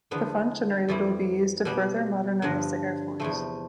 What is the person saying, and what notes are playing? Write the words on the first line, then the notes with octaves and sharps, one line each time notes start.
The funds generated will be used to further modernize the Air Force.
E2 D3 F3 B3
F2 E3 G3
B2 G3
G2 D3 F3
E2 C3 F3 A3